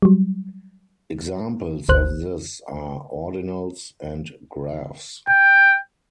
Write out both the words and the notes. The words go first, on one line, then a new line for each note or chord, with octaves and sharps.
Examples of this are ordinals and graphs.
F#3 G3
G1 D2 C5 F#6
G5